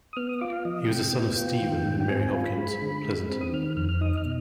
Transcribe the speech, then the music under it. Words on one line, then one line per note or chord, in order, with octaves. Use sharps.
He was the son of Stephen and Mary Hopkins Pleasonton.
D#6
B3 F6
D#6
F4 D6
F5
F3 D#5
C3 G5
B3
F4
D#3
G#2
G5
C4 G#5
G#5
F4 G#5
B5
G#3
D3
G#3
C4
D#6
D#3 F6
F2 F6
F6
D#4 D#6
F6
B2